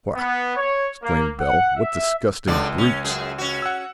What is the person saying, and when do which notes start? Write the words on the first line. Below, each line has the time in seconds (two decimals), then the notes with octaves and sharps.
"Faugh!" exclaimed Bell, "what disgusting brutes!"
0.16 B3
0.55 C#5
1.03 A#3
1.39 F#5
1.76 E5
2.47 C#2 D3 F#3 D5
2.78 C#4
3.04 F#2 G#4
3.38 C#4 F#4
3.62 F#5 E6